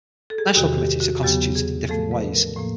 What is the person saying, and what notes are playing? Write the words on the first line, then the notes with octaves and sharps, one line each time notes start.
National committees are constituted in different ways.
A4
G#4
G4
E2 C3 D#3 F#4
G4
F#4
E2 C#3 F#3 B3 G4
G#4
A2 F3 A3 A4
B4
A#4
A2 F3 A#3